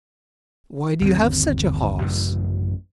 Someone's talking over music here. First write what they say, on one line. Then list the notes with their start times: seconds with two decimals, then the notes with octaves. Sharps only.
"Why do you have such a horse?"
1.01 G1 D#2 C4
2.01 A1 F#2 C#3